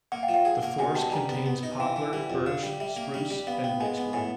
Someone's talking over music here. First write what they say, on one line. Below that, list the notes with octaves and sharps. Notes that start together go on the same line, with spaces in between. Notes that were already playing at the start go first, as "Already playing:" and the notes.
The forest contains poplar, birch, spruce and mixedwood.
A#3 F#5
F5 G5
F3
F5 G5
G#4 F#5
A#3 F#5
B2 F#5 G#5
G3 G5 A5
G3 G#5 A#5
B3
B3
D#4
E3 F5 G5
E3
G3 F#5
F2
D3 F5
G3
G3 E5
A#3
G3
G3
B3 F5
B3 F5 G5
G#3 F#5 G#5
B3
A2 F#5 G#5